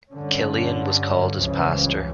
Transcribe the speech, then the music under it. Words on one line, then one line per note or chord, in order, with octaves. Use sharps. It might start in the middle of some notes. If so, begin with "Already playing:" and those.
Kilian was called as Pastor.
G2 D3 C#4
C#2 G2 C#3 E3 F3